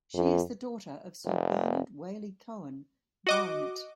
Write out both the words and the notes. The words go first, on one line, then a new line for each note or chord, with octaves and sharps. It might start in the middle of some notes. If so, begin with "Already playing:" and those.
She is the daughter of Sir Bernard Waley-Cohen, Baronet.
F2
F1
F#4 D#5 D6